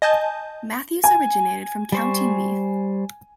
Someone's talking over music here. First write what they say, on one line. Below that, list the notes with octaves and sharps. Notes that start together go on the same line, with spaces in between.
Matthews originated from County Meath.
D#5 G#5 A5 G6
G#5
G3 C5 C#6